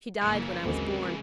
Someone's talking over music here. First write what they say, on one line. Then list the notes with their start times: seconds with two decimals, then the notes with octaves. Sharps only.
She died when I was born.
0.22 F#1 C#3 E3 A#3
0.65 A1 D#2 D3 G#3 C4 F#4 A#4